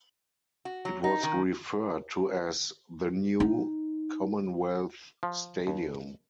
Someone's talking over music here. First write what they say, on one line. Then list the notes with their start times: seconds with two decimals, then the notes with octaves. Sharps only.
It was referred to as "The New Commonwealth Stadium".
0.65 F#4
0.85 F#3
1.04 D#4
1.23 D#3
3.40 D#4
5.23 F3
5.67 D#2